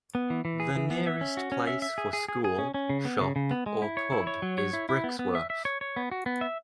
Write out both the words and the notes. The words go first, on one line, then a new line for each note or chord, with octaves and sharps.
The nearest place for school, shop or pub is Brixworth.
B3
E3
E3
G#4
E3
B3
E5
C#4
F#4
C#4
E5
E5
G#4
G#4
G#4
G#4
C#4
C#4
C#3
B3
C#3
C#3
B3
G#3
E4
C#5
E4
C#5
F#3
C#5
E4
E4
B3
B3
E5
E5
C#5
C#5
B3
F#4
B3
E5